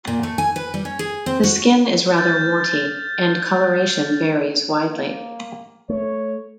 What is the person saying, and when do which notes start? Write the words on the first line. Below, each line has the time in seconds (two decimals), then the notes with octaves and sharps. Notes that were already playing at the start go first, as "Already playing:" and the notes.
The skin is rather warty and colouration varies widely.
0.07 A#2
0.23 A3
0.38 G#5
0.56 B4
0.74 G3
0.85 C#4
0.99 G#4
1.26 C4
1.43 F#4
2.18 F6 G6 A6
4.91 A#3
5.89 A3 C#5